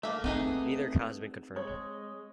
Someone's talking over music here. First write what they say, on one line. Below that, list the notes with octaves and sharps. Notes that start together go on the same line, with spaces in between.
Neither account has been confirmed.
A3 A#3 E5
B3 C4 D#4 G#4
G#3 C#5